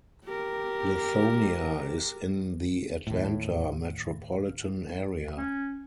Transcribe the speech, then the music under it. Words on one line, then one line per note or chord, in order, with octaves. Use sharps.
Lithonia is in the Atlanta metropolitan area.
G4 A#4
D#2 A2
C#4